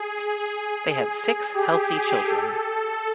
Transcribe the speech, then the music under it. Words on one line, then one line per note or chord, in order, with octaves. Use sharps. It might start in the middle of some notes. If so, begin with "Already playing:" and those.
They had six healthy children.
Already playing: G#4
G4
G#4
A4
A4